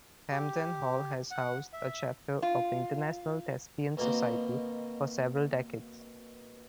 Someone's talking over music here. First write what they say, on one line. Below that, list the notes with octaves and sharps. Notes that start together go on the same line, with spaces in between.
Hamden Hall has housed a chapter of the International Thespian Society for several decades.
G4
F#5
E5
F4
B2 D#3 A#3 C4